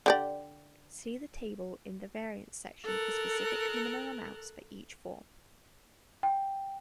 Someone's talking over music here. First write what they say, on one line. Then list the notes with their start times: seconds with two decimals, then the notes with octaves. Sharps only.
See the table in the variants section for specific minimum amounts for each form.
0.06 D3 G4 D5
2.84 A4 A#4 F#6
6.23 G5